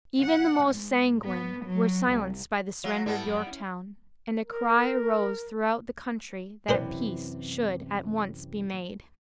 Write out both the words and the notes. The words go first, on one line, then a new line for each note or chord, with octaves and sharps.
Even the most sanguine were silenced by the surrender of Yorktown, and a cry arose throughout the country that peace should at once be made.
F#5
G#2
B3
F#3
C2
F#3 F5
G#2 G3 B3 E4 A4
F#2
C#4 E4
A#4
F#2 C3 E3 D4 B4 C5